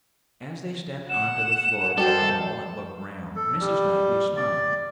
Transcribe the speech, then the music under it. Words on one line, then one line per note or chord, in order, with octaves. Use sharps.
As they stepped on to the floor of the hall and looked round Mrs. Knightley smiled.
F#5 E7
G3 F#4 A4 A#4 C5 G5
A4
G3
D5